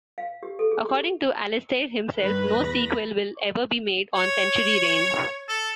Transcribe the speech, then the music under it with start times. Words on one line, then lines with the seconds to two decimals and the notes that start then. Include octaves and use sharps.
According to Alastair himself, no sequel will ever be made on Century Rain.
0.18 F5
0.43 G4
0.59 A4
0.71 G#4
0.89 G4
2.18 G2 D#3 B4
2.49 E2 B5 A#6
4.15 C#5
5.49 A4